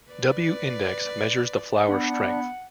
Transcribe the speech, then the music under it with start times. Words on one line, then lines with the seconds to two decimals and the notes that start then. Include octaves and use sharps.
W index measures the flour strength.
0.11 B4 D5
1.88 B3 D4 F#5